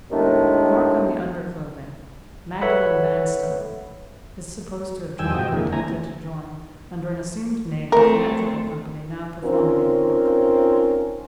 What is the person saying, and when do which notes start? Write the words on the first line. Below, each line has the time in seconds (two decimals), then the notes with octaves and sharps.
Mark on the under-clothing--'Magdalen Vanstone.' Is supposed to have joined, or attempted to join, under an assumed name, a theatrical company now performing at York.
0.10 D#2 A2 D#3 G#3 B3 D4
2.61 A4 B4 C#5 E5 F#5 B5
5.19 E2 D#3 G3 G5 G#5 E6
5.35 G#2 C3 F#4 G4 D#5 G5
5.52 F2 D3 A#3 E4 G#4
5.72 D3 C4 E4 G#5 A#5
5.85 E3
7.92 E3 A3 C4 A#4
9.44 C4 C#4 D#4 F4 A#4